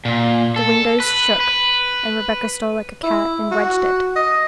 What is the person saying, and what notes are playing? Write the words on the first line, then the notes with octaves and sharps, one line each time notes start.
The window shook, and Rebecca stole like a cat and wedged it.
A#2
A4
B4
B4
E4
F#4
D#5